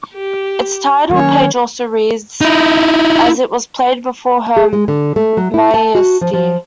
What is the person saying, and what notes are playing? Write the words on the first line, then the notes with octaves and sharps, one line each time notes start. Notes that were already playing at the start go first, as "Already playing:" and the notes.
Its title page also reads: As it was played before her Maiestie.
G4
D#3 F#3 A#3 C#4 C#5
D#4 E4
G#4
G#3
D3
A3
F#3
E4
A5
F#4
F3
F3